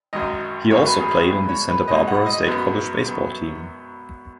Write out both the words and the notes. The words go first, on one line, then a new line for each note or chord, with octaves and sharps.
He also played on the Santa Barbara State College baseball team.
G#1 F#2 F#3 D#5
G#1 F#2 F#3 C#5
B4
G#4
G#4
B1 B2 G#3 B4
C#5
B4
B1 B2 G#3 D#5
F#5
D#5
F#2 F#3 B3
F#2 F#3 B3